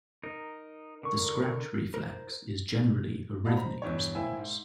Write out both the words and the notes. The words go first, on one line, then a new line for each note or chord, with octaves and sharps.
The scratch reflex is generally a rhythmic response.
D#4 A#4
D3 A#4 C#6
A#4 C5
D5 D#5 F5 F#5 A5 B5
C5 A#5 B5
E2 G2 C#5
A#3 E4 C5 E5 G5 G#5
G#2